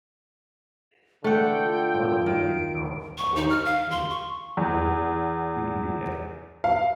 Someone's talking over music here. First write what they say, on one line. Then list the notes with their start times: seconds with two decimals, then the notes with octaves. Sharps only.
Not much is known about Choe Woo's early life.
1.24 D3 E3 A3 F#5 G5
1.65 F4
2.26 D#3 D7
3.18 C#6
3.36 D#4
3.50 F6
3.65 F5
3.91 C6
4.10 C#6
4.57 E2
6.64 F5